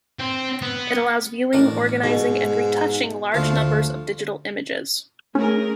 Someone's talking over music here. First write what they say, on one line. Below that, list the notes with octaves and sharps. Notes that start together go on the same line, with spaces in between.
It allows viewing, organizing and retouching large numbers of digital images.
C4
B3
A1 D4 A#4
G#2 B2
D2 F3 F4
A3 C#4 G#4 A#4